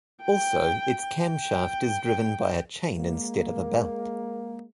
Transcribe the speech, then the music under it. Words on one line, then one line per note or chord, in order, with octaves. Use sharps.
Also, its camshaft is driven by a chain instead of a belt.
G5
G5
G#3 A#3